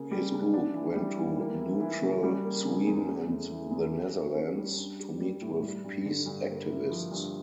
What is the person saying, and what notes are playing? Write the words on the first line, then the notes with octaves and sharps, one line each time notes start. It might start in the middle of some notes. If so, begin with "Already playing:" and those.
His group went to neutral Sweden and the Netherlands to meet with peace activists.
Already playing: C#3 A#3
G3
C#3
D4
E3
G3
E3
A#3
E4
E3
C#3
G3
A#3
C#3
E2
A3
E2
E3
E2
G4
A#4
C#4
G3
D4
G4
G3
A2
G3
G2
D3
G2
A#3
E4
F3
G2